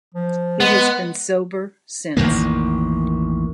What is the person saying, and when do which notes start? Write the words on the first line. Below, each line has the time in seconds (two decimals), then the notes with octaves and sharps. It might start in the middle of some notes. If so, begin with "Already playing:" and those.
He has been sober since.
0.14 F3
0.60 G#3 B3
2.17 A1 E2 D#3 A#3